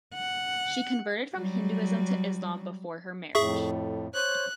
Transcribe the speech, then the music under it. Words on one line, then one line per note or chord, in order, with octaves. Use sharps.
She converted from Hinduism to Islam before her marriage.
F#5
F#3 G3
F2 A2 G#4 E5 C#6
C5 C#5 F#6